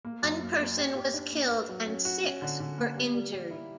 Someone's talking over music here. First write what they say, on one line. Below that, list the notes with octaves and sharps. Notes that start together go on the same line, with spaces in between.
One person was killed and six were injured.
A#3
F#2
A#3
A#3
G4
G4
D4
A#3
B4
F#3
C#4
F#4
C#4
D3
D3
A#3
G3
G3
G3
E4